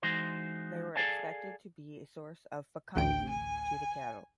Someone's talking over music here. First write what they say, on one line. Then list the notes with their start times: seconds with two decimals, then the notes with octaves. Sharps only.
They were expected to be a source of fecundity to the cattle.
0.02 E3 G#3 D#4 F#4 C5 C6
0.96 G#4 A4 D5 F5 G#5 A5
2.96 A1 D2 G5 D7
3.29 G#5